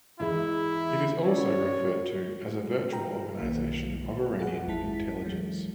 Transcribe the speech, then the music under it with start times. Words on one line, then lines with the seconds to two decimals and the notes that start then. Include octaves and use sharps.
It is also referred to as a 'virtual organization' of Iranian intelligence.
0.20 E2 E3 G#3 E4
1.24 C#4 F#4 C#5 D5
2.93 G5 A#5
3.39 B1 D#3 A#3
4.39 G#4 F#5
4.67 G#1 E2 G#3 E4 A5 B6
5.24 E3 F#3 G#3 A3